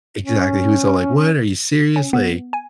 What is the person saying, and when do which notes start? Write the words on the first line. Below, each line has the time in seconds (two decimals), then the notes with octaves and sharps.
Exactly he was all, like, "What? Are you serious"? Like,
0.24 C#4
1.96 C#4
2.13 B3
2.53 G#5